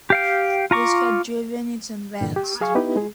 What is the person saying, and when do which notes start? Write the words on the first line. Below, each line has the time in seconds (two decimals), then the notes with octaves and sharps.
This has driven its advance.
0.10 G4 F5 G5
0.71 F4 A#5 C#6 D6
2.21 G2 A#2 D3 E3
2.36 G4
2.61 F#3 G#4 F5 G#5 C#6
2.75 B3 D#4 E4 G4 B4
2.96 G#3 G#4